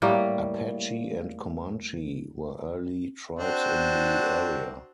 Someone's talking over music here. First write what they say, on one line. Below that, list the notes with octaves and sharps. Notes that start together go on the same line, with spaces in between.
Apache and Comanche were early tribes in the area.
A2 G3 A#3
C4 D4 F#4